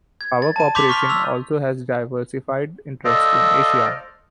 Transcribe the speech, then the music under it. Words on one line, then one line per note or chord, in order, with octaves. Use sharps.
Power Corporation also has diversified interests in Asia.
G#6
A6
A5 D#7
C6 D6 G6 A6 B6 F7
C#6 F6 B6 F7
C#6 E6 F7
A4 C5 D5 D#5 F5